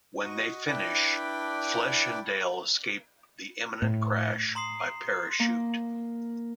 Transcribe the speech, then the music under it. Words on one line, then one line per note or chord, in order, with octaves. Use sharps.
When they finish, Flesh and Dale escape the imminent crash by parachute.
F#4 D#5 C#6
D4 E4 B4 D5 G5
A2
A#5 C6 D#6 C7
A#3